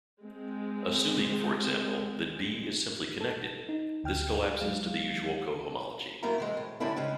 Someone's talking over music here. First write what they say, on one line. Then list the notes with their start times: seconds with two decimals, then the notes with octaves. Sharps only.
Assuming for example, that "B" is simply connected, this collapses to the usual cohomology.
0.21 G#3 C4
3.21 A4
3.69 D#4
4.04 D2 G5 F6
4.60 F#3 G#3 F5
6.23 F#2 A3 A#3 E4 A#5
6.38 C3 E3 G#3
6.57 A2
6.80 A2 D3 G3 C#4 D4 E4
6.96 C#3 G#3 C#4